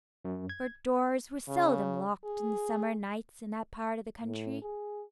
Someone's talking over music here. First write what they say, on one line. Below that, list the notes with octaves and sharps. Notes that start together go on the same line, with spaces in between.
For doors were seldom locked in the summer nights in that part of the country.
F#2
G#6
C#3
G#4
A2
G#4